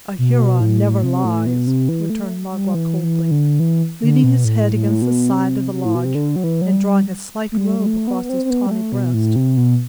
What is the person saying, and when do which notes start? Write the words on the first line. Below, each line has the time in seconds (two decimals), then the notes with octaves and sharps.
"A Huron never lies!" returned Magua, coldly, leaning his head against the side of the lodge, and drawing his slight robe across his tawny breast.
0.18 B2
0.61 A2
1.03 C3
1.24 A2
1.46 B2
1.67 C3
1.89 E3
2.10 A3
2.52 G3
2.74 E3
3.03 E3
3.31 D3
3.60 E3
4.03 D3
4.24 B2
4.45 A2
4.73 A2
5.02 B2
5.30 C3
5.73 C3
5.85 A2
5.95 B2
6.05 C3
6.15 D3
6.36 F#3
6.44 E3
6.62 F#3
6.72 G3
7.52 A3
7.57 G3
7.79 G3
7.86 A3
8.07 B3
8.24 B3
8.29 C4
8.45 C4
8.50 B3
8.67 G3
8.71 A3
8.92 B2
9.14 A2
9.36 C3
9.57 B2